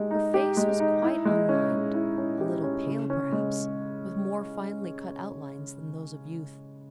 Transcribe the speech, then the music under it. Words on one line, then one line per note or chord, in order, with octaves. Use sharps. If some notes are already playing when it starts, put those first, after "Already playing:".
Her face was quite unlined--a little pale, perhaps, with more finely cut outlines than those of youth.
Already playing: G#3 D#4 G4
D#4
G4
G#3
D#4
E4
G#3
C#4
G#3
E4
C#4
G4
C#4
C#3
C#4
G#3